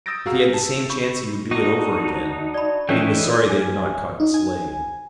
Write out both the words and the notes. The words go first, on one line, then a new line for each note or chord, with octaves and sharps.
If he had the same chance he would do it over again, but he was sorry they had not caught Slade.
D#6 E6 G6 A6 A#6 D7
F#4 G#4 F5 A#5 E6
A5
B5 C#6 G6
D4 D#4 F#4
D5 B5
E3 A3 C#4 D#5 E5 G5
G#5
D#4
G#5